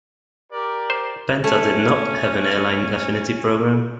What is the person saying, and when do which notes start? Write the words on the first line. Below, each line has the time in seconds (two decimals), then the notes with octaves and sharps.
Penta did not have an airline affinity program.
0.53 G4 A#4 D5
0.90 C5
1.44 A3 C#4